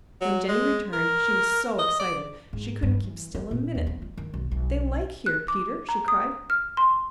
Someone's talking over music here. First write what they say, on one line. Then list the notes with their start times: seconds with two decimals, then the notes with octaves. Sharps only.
When Jenny returned she was so excited she couldn't keep still a minute. "They like here, Peter!" she cried.
0.21 F#3
0.48 G#3
0.93 A#4
1.79 D#5
1.99 D5
2.53 G#2
2.82 G2
3.04 E3
3.34 B3
3.51 A#2
3.75 D#2
3.87 B3
4.02 F4
4.18 D#3
4.34 B1
4.51 B1
5.26 F#6
5.48 D6
5.89 A#5
6.08 D#6
6.50 F6
6.77 C6